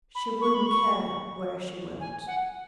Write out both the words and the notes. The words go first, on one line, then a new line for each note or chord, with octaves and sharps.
She wouldn't care where she went.
B5
C#6
B5
C#6
G#5
F#5